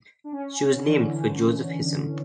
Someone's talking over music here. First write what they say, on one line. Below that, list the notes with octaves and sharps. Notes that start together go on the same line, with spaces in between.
She was named for Joseph Hissem.
D4
C#4
D3
E3
D3